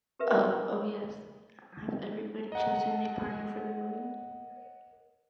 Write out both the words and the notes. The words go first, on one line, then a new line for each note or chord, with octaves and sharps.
Uh, Oh, yes, have everybody chosen a partner for the move?
G4 A#4 B4 E5
D#5 F#5